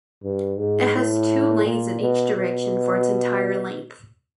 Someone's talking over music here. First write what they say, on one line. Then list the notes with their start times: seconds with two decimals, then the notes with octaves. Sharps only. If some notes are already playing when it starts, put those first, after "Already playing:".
It has two lanes in each direction for its entire length.
0.24 G2
0.58 G#2
0.94 A2
1.65 A#2
2.01 B2
2.36 B2